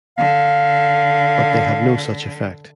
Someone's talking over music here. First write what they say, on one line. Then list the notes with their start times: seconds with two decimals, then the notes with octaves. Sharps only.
But they have no such effect.
0.18 D3 F5